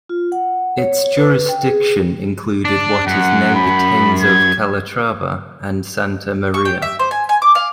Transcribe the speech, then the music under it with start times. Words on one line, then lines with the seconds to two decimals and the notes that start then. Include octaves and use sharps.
Its jurisdiction included what is now the towns of Calatrava and Santa Maria.
0.09 F4
0.32 F#5
0.78 C#5
1.17 B4
1.49 G5
1.65 G#4
2.65 D4
3.07 F#2 F#5
3.55 B5
4.22 G#6
6.54 C#6
6.65 G5
6.82 E5
6.99 C5
7.11 G#5
7.29 G#5
7.42 D6
7.55 F5